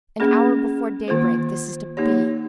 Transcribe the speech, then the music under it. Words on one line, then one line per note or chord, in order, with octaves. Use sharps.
An hour before daybreak this is to be.
A#3 C#4 G#4
D#3 A#3 F4 C5
A#3 D#4 G4 C#5